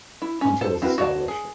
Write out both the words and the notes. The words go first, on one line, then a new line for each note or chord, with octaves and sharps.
Hunter was established.
E4
C#4
A4 C5 A5
C4 E4 F#4 A#4 B4
F#4 C#5 D5 F5 A5
G#4